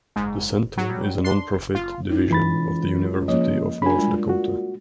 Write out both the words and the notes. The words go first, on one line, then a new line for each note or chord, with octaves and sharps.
The center is a nonprofit division of the University of North Dakota.
F#1 G#2
F#3
G3
D4 C6
F#1
F#1 F4
C#2 D#4 E4
E3 B5 A6
F3 A#3 C#5 D#5
C#3 D4 F#4 G#5 B5
A#2 G3 G#3
F#4